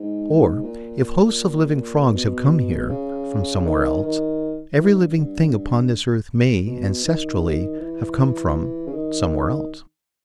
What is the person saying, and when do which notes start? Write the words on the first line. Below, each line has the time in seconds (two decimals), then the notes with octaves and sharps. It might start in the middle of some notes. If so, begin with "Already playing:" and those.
Or if hosts of living frogs have come here--from somewhere else--every living thing upon this earth may, ancestrally, have come from--somewhere else.
Already playing: G#2
0.63 A#2
2.14 B2
2.89 C#3
3.65 D#3
4.02 D#3
4.78 E3
4.88 G#2
4.97 G2
5.15 G2
6.67 B2
7.04 D#3
7.80 E3
8.87 C#3
8.93 D#3